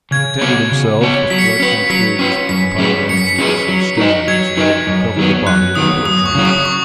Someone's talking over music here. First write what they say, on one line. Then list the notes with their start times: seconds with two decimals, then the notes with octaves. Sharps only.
He contented himself with collecting twigs, pine-branches, and stones in order to cover the body of the poor tramp.
0.11 C#3 G#6
0.41 B3 F#4 C#5
0.72 C#3
1.01 B3 F#4 C#5
1.30 F#3 B6
1.39 C#7
1.46 B6
1.60 C#4 B4
1.90 F#3 B6
2.19 C#4 B4
2.49 F#2 B6
2.78 F#3 C#4 G#4 B4
3.09 F#2 C#7
3.17 B6
3.27 C#7
3.38 F#3 C#4 G#4 B4
3.68 F#3
3.97 D#4 B4 D#5
4.28 F#3 G#6
4.57 D#4 B4 D#5
4.87 F#2
5.17 D#3 F#3 B3
5.47 F#2 F#6
5.75 D#3 F#3 B3 D#6
6.05 F#2 D#6
6.26 C#6
6.35 C#3 F#3 C#4
6.45 D#6
6.65 C#6